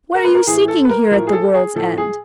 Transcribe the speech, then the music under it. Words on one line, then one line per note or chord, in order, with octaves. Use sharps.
What are you seeking here at the world's end?'
A#4
B4
A#4
A2 E3 G#4
A4
B4
A#4
A2 F3 A#4
G#4
A4
G#4
A2 F3 A4
G#4